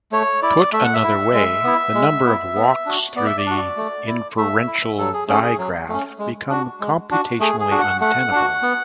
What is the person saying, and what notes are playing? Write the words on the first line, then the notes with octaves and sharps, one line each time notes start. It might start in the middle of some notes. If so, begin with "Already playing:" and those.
Put another way, the number of "walks" through the inferential digraph became computationally untenable.
A3 C#5
E4 D5
A3 E5
F#5
E5
E4
G#3
B3 E4
G#3
B3 E4
B3
D4 F#4
B3 D5
E5
D5
D4 F#4
A3
E4
A3 E5
E4
F#3 A4
G#4
A3 C#4 G#4
G#4
F#3
A3 C#4
G#3
D4 F#4
G#3
D4 F#4
A3 G#4
G#4
D4 F#4
F#5
A3 F#5
D4 F#4
B3